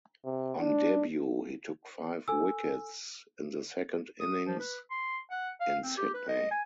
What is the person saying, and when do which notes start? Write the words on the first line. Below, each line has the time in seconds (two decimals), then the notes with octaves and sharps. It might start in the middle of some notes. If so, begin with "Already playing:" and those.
On debut, he took five wickets in the second innings in Sydney.
0.25 C3
0.60 D4
2.28 A4 G#5 E6
4.20 D#6
4.47 F3
4.60 B4
4.91 C6
5.30 F#5
5.60 F5
5.84 C4
5.97 G4
6.14 B4
6.28 D#5
6.51 G#5